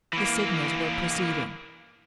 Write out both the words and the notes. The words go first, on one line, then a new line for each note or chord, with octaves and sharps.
The signals were proceeding.
E3 A#3